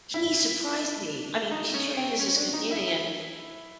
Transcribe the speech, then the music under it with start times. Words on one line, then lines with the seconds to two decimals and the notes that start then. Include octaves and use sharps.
he surprised me. I mean, he's here he is this comedian
0.14 E4
1.51 D#4
1.74 C#4
1.97 C4
2.19 C#4
2.37 D4
2.53 D#4
2.71 E4
2.88 E4